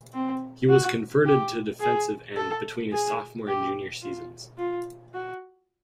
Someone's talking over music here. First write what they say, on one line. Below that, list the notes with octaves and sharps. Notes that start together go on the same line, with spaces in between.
He was converted to defensive end between his sophomore and junior seasons.
C4
F#4
G4
G#4
A4
G#4
G4
F4
F4
F#4